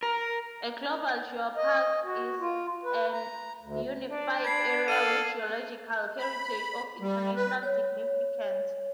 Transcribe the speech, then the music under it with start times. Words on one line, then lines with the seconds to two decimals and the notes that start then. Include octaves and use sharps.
A "Global Geopark" is a unified area with geological heritage of international significance.
0.03 A#4
1.57 D#5
2.03 F#4
2.39 F4
2.84 B4
3.12 A#5
3.60 D2
4.09 D4
4.44 B5 G#6 C7
4.88 A4 F5 D#7 F#7
6.19 B5
7.01 G3
7.36 B4
7.63 C#5